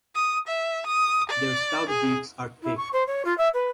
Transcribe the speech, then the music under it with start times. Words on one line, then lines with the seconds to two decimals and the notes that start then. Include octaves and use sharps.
Their stout beaks are pink.
0.15 D#6
0.47 E5
0.86 D#6
1.29 D5
1.89 G#4
2.63 E4
2.77 C#6
2.93 C5
3.07 C#5
3.25 F4
3.38 E5
3.54 B4